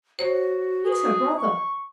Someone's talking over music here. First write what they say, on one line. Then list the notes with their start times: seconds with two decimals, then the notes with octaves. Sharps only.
He's her brother.
0.19 F#4 C5 C#5
0.86 G#4
1.38 C#6